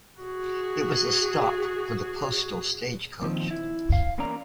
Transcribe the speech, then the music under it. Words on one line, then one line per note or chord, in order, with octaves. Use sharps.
It was a stop for the postal stagecoach.
F#4 G#4
A#2 D#3 F3 C4
E4
F5
E2 A#3 C#4 A#4 D5 A#5